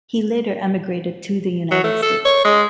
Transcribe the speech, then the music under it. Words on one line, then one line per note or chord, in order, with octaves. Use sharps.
He later emigrated to the United States.
F#3
A3
A4
C#5
G#3